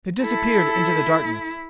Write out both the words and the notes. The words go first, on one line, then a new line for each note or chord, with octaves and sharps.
They disappeared into the darkness.
E4 A4